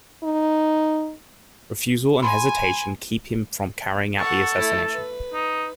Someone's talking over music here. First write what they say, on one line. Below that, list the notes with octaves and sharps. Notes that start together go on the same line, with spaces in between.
Refusal and hesitation keep him from carrying out the assassination.
D#4
G#5 B5 C6
A4 F#5 C#6
A3 E4
B4
D#4